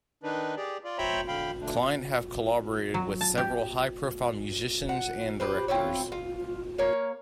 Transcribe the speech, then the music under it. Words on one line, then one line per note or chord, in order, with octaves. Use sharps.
Client have collaborated with several high-profile musicians and directors.
D#3 D4 D#4 B4
G4 G#4 D5
F4 D5
C5 C#5 E5 G5 A#5 B5
D3 F5 G5 B5
B2 D3 A3 D4
F#3
A5
G4
F#5
G4 B4 C5
C4 E4 F4 C#5
F4
A#3 C#5 F5